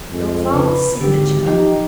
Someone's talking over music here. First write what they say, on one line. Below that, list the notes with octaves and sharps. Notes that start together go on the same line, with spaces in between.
"Your father's signature?"
F2 G#3
C#3 B4
G#1 D3 G4
F3 D#4 G4